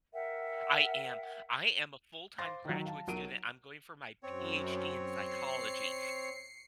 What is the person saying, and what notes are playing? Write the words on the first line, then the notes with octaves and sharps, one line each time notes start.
I am, I am a full-time graduate student. I'm going for my PhD in psychology,
A#4 E5 F#5 G5
C5 F5 C6 D6 A6 A#6
D#3 F#3
F5 A5
B1 F#3 A#4 D7 D#7
F#2 C4 C#5
C7 C#7